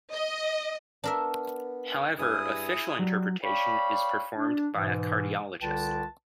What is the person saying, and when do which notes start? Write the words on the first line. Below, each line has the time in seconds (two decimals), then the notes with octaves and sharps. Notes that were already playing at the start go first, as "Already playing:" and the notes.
However, "official" interpretation is performed by a cardiologist.
0.12 D#5
1.04 B3 D4 A#4 E5
2.19 G2 E4 G#4 D#6
2.99 F#3 G3
3.44 C#5 D5 F5 G5 B5
4.37 D4
4.75 G#2 B2 E3
5.62 C2 D3 F4 B4 G5 A5